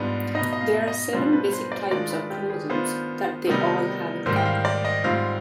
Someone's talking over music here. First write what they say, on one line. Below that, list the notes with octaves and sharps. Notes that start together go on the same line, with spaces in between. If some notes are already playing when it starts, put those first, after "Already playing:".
There are seven basic "types" of chromosomes that they all have in common.
Already playing: G#2 G3 B3 D4 F4
B2 B3 D#4 D#5
D#5
F5
D#5
B2 G3 D4 F4 C5
B4
C5
D5
D#3 G#3 D4 F4 D5
B4
G4
G#4
D#3 B3 D4 F4 C5
C3 D#3 G3 B3 D#4
G#2 D#3 G3 C5
G5
F5
D5
D#5
G#2 G3 C4 F4 F5